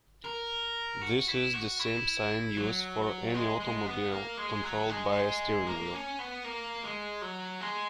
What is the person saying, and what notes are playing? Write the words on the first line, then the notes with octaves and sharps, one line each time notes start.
This is the same sign used for any automobile controlled by a steering wheel.
A#4
F#4
E4
F#4
E4
F#3
G#3
G#3
B3
A#3
G#3
F#3
G#3
A#3
C#4
B3
A#3
G#3
F#3
G#3